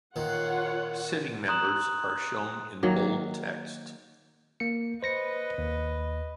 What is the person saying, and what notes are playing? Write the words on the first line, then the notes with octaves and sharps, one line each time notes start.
Sitting members are shown in bold text.
A#2 D#3 F4 C#5 F#5
A#5 C6 D#6 F#6 E7 F#7
D#3 F#3 A#3
A#3 C#7
B4 C5 D#5 A#6 C#7
D#2